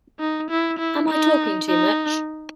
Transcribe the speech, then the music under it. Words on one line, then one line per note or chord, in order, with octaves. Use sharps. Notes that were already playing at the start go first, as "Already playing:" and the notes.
Am I talking too much?
D#4
E4
E4
D#4
D#4